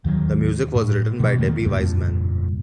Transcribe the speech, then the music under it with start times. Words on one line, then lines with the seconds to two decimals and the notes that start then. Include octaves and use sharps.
The music was written by Debbie Wiseman.
0.05 D#2 D#3 E3 F#3
0.75 A2
1.20 B2 F3
1.39 E2 D#3 A3 A#3
1.60 F1 C#2 G2 A#2